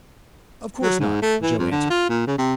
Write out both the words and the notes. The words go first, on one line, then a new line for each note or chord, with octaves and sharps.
"Of course not," Joe answered.
F#3
G#2
A3
E3
F2
D3
F4
A#2
C#3
C3